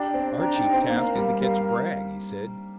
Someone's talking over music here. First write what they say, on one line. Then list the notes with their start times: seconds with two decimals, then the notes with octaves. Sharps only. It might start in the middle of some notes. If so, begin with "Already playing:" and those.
"Our chief task is to catch Bragg," he said.
Already playing: D4 G4 D5 G5 A#5
0.14 C4
0.40 D4 G4 D5 G5 A#5
0.56 D#4
0.73 C4
0.89 A#3 A#4 F5 A#5
1.15 G3
1.41 G3 A#4 F5 A#5